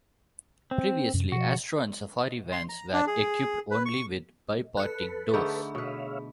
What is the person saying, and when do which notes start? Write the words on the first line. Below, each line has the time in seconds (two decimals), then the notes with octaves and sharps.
Previously, Astro and Safari vans were equipped only with bi-parting doors.
0.71 C4
1.14 F#2 C3 C#4
1.32 B2 F3 F#4
2.52 C6
2.69 A#5
2.93 D4
3.07 G#4
3.71 B4
3.86 C#6
4.77 A4 B4 F#6 C#7
5.34 D3 A3 D#4 G#4 B5
5.75 B2 B4 C#5 E5 F5